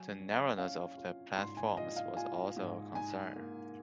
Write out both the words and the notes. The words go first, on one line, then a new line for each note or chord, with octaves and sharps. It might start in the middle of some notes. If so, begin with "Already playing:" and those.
The narrowness of the platforms was also a concern.
Already playing: F#3 G#5
C#4
C#4 F5
F4
G#2 C6
G#5
F4 D#5
F5
F4 G#5
G#2
D#4 G#5
A#3